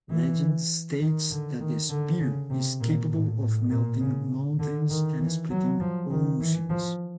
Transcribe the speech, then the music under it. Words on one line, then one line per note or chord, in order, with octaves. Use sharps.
Legend states that the spear is capable of melting mountains and splitting oceans.
E3
D#3
D3
D#3
D3
C#3
C3
A#2
A2
A2
A#2
C#3
D3
D#3
E3
F#3
F3
D#3
E3
F3